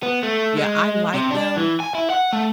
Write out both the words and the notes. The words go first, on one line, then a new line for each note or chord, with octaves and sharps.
Yeah, I like them,
B3
A3
G#3
C3
D4
E3
G#5
E4
F#5
A3